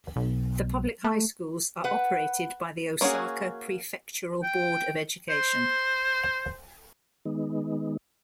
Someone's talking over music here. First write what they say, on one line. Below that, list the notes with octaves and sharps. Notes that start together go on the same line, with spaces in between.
The public high schools are operated by the Osaka Prefectural Board of Education.
B1
A3
B4 F#5
A#3 C#4 D#4 F#4 G#4
G5
C5
D#3 G#3 B3 D#4